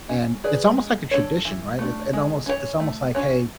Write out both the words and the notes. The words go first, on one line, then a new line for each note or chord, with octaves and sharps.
and it's almost, like, a tradition, right? It it almost it's almost, like, "Hey,
C#4
G#4 B4 D5
G#3
D4 A4 C#5
E3
A3 D4
G#3
C#4 G#4 C#5
A3
C#4 F#4 C#5